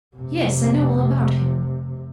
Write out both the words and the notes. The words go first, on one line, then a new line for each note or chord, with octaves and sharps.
'Yes, I know all about him.
F1 C3